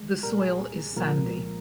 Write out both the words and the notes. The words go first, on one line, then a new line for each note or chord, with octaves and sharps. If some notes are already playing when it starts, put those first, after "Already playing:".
The soil is sandy.
Already playing: G#3
C2 A#2 G3 A#4
G#4
C2 A#2 F3 G#3 A#4